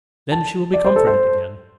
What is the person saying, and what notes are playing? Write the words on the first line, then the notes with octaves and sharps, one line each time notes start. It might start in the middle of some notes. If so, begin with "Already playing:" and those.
Then she will be comforted again.
A5
D5
C5
A4
C5